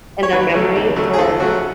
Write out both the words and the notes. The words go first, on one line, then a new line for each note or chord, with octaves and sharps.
their memories or
C#5
D#2 B4
C#3 F#3 A3
D#2
C#3 F#3 A3
G#4
D#2 A4
C#3 F#3 A3 F#4